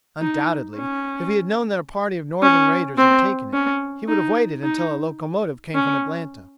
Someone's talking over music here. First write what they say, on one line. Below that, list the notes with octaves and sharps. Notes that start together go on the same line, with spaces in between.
Undoubtedly, if he had known that a party of Northern raiders had taken it, he would have waited until a locomotive came from Atlanta.
D#4
C#4
C#4
C4
C#4
D#4
D#4
C#4